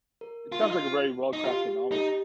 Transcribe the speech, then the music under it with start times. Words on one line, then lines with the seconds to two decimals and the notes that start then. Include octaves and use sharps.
It sounds like a very well-crafted novel.
0.21 A#4
0.52 F4
0.61 D#4
0.71 F4
1.33 D#4
1.45 F4 G4
1.68 G4
1.92 D#4 G4